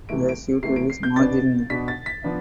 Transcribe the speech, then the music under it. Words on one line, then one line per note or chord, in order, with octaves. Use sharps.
The suture is margined.
C3 E3 A3 D7
D7
C3 E3 A3 C7
D7
C7
G6
B2 B3 D4 A6
B2 B3 D4 B6
A6
B6
F3 B3 D4